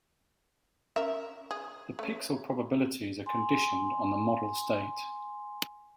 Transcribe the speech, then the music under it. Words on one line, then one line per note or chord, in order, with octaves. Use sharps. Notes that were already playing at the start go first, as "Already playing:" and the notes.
The pixel probabilities are conditioned on the model state.
C#4 A#4 E5
G#4
A3 C#4
G#5 C6